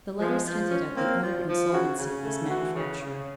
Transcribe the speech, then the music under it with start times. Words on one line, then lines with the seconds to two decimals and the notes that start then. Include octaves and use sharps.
The letters hinted at the utter insolvency of this manufacturer.
0.19 F3 G#3
0.45 F3
0.70 C#4
0.95 A#3 C4
1.22 F3
1.48 F3
1.72 C#3 F#4
1.99 C#3
2.23 A3
2.49 E3 F#4
2.74 C#3
3.00 C#3